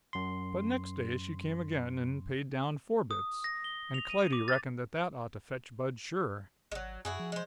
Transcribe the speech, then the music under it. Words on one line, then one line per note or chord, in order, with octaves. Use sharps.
But next day she came again and paid down four bits, and Clytie reckoned that that ought to fetch Bud sure.
F#2 C6
D#6
A#6
G7
F7
D#7
D6
A6
G#1 F#3 G#3
F#2 E4 F#4 G#4
F3
G#3 C5